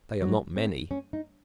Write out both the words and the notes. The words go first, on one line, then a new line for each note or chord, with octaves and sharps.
They are not many.
F#3
C4
C#4
D#4